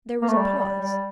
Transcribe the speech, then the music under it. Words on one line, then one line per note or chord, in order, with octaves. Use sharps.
There was a pause.
A#3
A3
G3
G3
G3